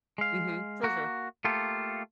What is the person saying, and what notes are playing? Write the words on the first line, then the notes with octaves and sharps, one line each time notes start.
Mhm. For sure.
G#3 F5
A#3 F#4
A3 A#3 F4 G4 A4